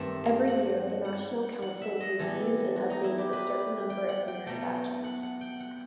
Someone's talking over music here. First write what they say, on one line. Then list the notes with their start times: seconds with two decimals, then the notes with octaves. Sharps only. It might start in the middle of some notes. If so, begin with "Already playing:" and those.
Every year the National Council reviews and updates a certain number of merit badges.
Already playing: G2 D#3 A3 C4 E5
0.47 F#5
1.05 F#5
1.62 F#5
1.81 E5
2.00 D#5
2.19 A2 E3 G3 B3 A4
2.76 F#4
2.90 D#4
3.04 E4
3.18 G4
3.33 B4
3.90 G5
4.09 F#5
4.28 G5
4.46 B2 F#3 A3 G5
5.04 F#5
5.23 F#5
5.41 G5
5.60 F#5